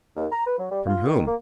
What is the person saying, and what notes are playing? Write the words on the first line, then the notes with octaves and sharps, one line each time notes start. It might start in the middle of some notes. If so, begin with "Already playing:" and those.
From whom?
D#2
A#5
B4
F#3
G3
F4
D#3
A#3